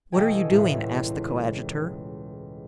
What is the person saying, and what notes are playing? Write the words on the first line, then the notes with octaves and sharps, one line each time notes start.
"What are you doing?" asked the coadjutor.
E1 A4 D#5 G5 G#5
C#2 A2